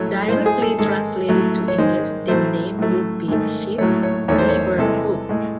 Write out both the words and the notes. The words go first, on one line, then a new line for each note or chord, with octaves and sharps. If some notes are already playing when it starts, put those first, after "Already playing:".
Directly translated to English, the name would be 'Sheep-river-hook'.
Already playing: A2 F#3 A3 C#5
A2 G#3 C5
G#4
A4
G#2 D#3 G#3 A4
A2 F#3 A3
C#5
G#2 D#3 G#3 C5
A2 F#3 A3 C5
A2 F#3 A3
G#2 D#3 A3
A2 F#3 A3 C#5
C#5
E2 D#3 A3 C#5
C5
C#5
C3 E3 G#3 A4
A2 G#3